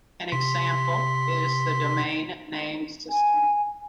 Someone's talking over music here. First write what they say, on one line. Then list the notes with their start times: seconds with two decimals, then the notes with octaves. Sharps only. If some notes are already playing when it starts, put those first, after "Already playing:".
An example is the Domain Name System.
0.32 C3 C6 B6
3.10 G#5